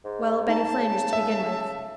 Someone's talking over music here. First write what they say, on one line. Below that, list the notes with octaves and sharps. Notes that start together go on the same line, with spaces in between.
Well, Betty Flanders, to begin with.
G#2
D#4 A5
C#3
E5